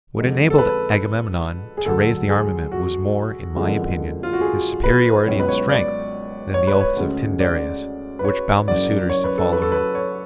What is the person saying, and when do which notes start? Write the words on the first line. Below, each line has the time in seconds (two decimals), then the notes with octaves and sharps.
What enabled Agamemnon to raise the armament was more, in my opinion, his superiority in strength, than the oaths of Tyndareus, which bound the suitors to follow him.
0.16 F2 D3 G#3
0.50 A4
0.58 B4
1.77 G#4
1.85 D2 D3 F#3 A4
2.29 G#4
2.72 F#4
3.56 F#1 F2 D3 F3 G#3
4.23 F4
4.33 F#4
4.41 G#4
4.84 B4
5.26 C#2 B2 F#3 C#5
5.39 B4
5.49 C#5
5.69 D5
6.54 C#5
6.67 B4
6.80 C#5
6.96 D2 C#3 G#3
7.40 D5
8.19 B4
8.25 C#5
8.68 F#1 F#2 C#3 F#3 D5
9.09 C#5
9.24 B4
9.38 A4
9.52 B4
9.62 A4
9.72 B4
9.95 C#5